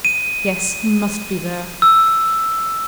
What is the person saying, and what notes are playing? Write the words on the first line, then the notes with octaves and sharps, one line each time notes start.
Yes, he must be there.
D#7
E6